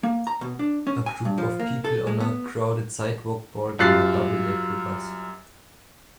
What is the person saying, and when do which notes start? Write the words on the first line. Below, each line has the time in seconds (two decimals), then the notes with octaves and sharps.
A group of people on a crowded sidewalk boarding a doubledecker bus.
0.03 A#3
0.27 A#5
0.41 B2
0.59 D4
0.87 C#4
1.06 G#5
1.25 G2
1.38 F3
1.60 A#3
1.85 A4
2.07 G#3
2.20 B3
3.79 F#2 G3 F4 F#6 A6 C7